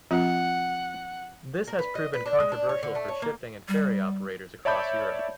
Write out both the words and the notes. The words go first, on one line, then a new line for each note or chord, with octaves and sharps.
This has proven controversial for shipping and ferry operators across Europe.
F3 C4 F4 F#5
A#4
B4
D#5
B4
D4
G#3
D4
C#5
D3
A3
C#5
A#3
G3
C#5 D5 E5 A5 B5 G6